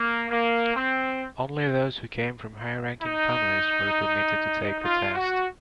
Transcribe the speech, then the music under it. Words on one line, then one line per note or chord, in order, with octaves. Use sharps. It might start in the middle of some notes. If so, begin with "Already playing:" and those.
Only those who came from high-ranking families were permitted to take the test.
Already playing: A#3
A#3
C4
D#4
F4
F#4